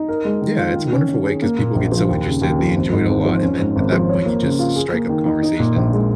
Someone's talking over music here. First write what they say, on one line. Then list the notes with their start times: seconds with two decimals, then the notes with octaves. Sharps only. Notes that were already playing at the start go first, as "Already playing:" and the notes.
Yeah, it's a wonderful way, 'cause people get so interested, they enjoy it a lot, and then, at that point, you just strike up conversations.
Already playing: D#4
0.08 A#4
0.25 G#3
0.42 D#3
0.58 F4
0.75 D#3
0.92 C#4
1.08 D#3
1.25 G#4
1.42 A#3
1.59 A#2
1.75 A#1
1.92 F3
2.09 D#2
2.25 C#3
2.42 D#2
2.59 F3
2.76 G#1
2.92 G#2
3.09 G#1
3.25 F3
3.43 C#4
3.59 G#2
3.76 G#1
3.92 F3
4.09 C#5
4.26 A#3
4.42 C#3
4.59 F4
4.76 G#4
4.93 A#3
5.09 D#3
5.26 D#4
5.43 D#4
5.60 A#2
5.76 A#1
5.93 G#3